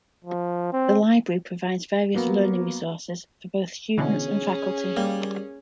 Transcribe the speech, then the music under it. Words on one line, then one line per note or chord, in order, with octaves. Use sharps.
The library provides various learning resources for both students and faculty.
F3
C4
F#3 A#3 B3
B2 D3 E3 C#4 G#4
G3 A#3